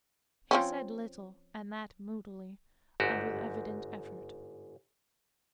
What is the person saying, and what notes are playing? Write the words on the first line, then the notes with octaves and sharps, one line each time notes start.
He said little, and that moodily, and with evident effort.
F3 C4 C#4
G1 G#2 F#4 G4